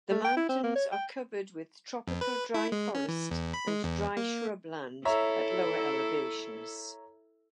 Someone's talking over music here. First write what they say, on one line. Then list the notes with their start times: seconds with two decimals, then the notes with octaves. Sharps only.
The mountains are covered with tropical dry forest and dry shrubland at lower elevations.
0.11 A3
0.24 G5
0.36 E4
0.49 C4
0.64 A#3
0.75 C#5
0.92 G5
2.08 F2
2.21 B4
2.54 E4
2.72 G#3
2.95 C#4
3.08 E3
3.31 E2
3.54 B5
3.67 G#3
3.84 E2
4.17 A#3
5.05 E4 A4 C#5 E5 A#5